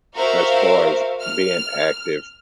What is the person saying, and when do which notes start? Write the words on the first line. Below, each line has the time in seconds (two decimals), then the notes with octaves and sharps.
as far as being active,
0.16 F#4 A#4 C5 E5 F5
1.22 F6